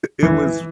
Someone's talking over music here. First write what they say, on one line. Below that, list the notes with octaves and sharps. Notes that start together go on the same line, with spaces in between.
it was
E3